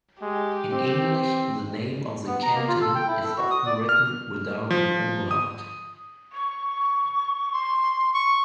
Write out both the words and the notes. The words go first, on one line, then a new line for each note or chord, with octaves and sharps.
In English the name of the canton is often written without an umlaut.
G#3 G4
C4
B3
A#5
A#3
F4
A4
G5
E4
A4
F#4
D#6
D5
F6
F3
D#6
C#6
C6
C#6